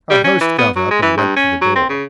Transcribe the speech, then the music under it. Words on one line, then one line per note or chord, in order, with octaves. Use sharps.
Our host got up and went to the door.
G3
C#4
E3
B3
F#3
G#3
E3
G2
C#4
F#3
C4
C#3